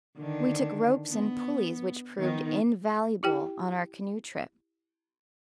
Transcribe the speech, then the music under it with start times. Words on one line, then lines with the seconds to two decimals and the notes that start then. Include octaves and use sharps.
We took ropes and pulleys which proved invaluable on our canoe trip.
0.16 D3 D#3 D4
1.10 B3
2.18 D#3 B3 D#4
3.23 E4 G4 G5